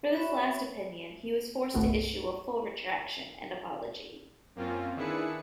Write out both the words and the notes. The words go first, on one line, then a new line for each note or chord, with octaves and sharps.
For this last opinion he was forced to issue a full retraction and apology.
F#4 C#5 E5 B5 C#6
G1 C2 A3 B3 F#4
F#2 A#3 C4 C#4 F4
D#3 D4 E4 G#4 B4 C#7